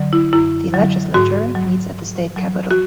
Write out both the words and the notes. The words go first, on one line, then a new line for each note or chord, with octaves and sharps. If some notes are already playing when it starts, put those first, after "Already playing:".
The Legislature meets at the State Capitol.
Already playing: D3 F#3
E4
F#2 E4
D3 F#3
G#2 F#4
F#3
G#2
F#3
F#4